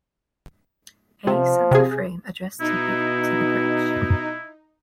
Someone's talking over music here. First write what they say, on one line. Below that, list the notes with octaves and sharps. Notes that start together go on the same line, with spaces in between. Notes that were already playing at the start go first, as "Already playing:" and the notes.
A sends a frame addressed to B to the bridge.
C3 F3
C3 G#4
B2 D#4 E4